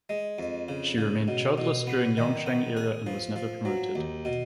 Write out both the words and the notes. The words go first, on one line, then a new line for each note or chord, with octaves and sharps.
She remained childless during Yongzheng era and was never promoted.
G#3
F2
C#3
C#3
B2
B2
B3
D#3
B3
G#4
F3
F3
F#3
D#2
B2